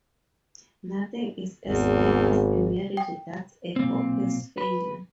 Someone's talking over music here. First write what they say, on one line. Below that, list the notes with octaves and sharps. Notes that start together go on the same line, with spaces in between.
Nothing is as bad as a marriage that’s a hopeless failure.
G#1 E2
G5
B1 A#2 C4
B4